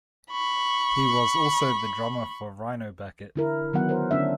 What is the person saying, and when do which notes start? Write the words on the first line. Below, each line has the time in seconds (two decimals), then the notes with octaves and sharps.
He was also the drummer for Rhino Bucket.
0.31 B5 C#6
3.36 D3 E4 A#4
3.73 D#3 F#3 B3 F#5
3.89 A#4 C5
4.11 D3 C#4 D4 E5